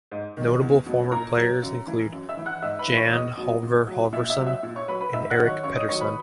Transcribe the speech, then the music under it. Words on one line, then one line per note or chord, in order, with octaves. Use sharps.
Notable former players include Jan Halvor Halvorsen and Erik Pedersen.
G#2
D#3 F#3
E2
B2 F#3
A#2 A#4 A#5
F#3
F#2
E3
F#2
E5 E6
E3
F#5 F#6
G#2 E5 E6
B4 B5
E3
C#5 C#6
E2 D#5 D#6
B2 F#3
A#2
F#3
A#2 E5 E6
E5 E6
F#3
E5 E6
A#2
C#5 C#6
F#3 B4 B5
B4 B5
G#2 E5 E6
F#5 F#6
D#3 F#3
C#5 C#6
F#2 C#5 C#6
D#5 D#6
D#3 F#3 C#5 C#6
B4 B5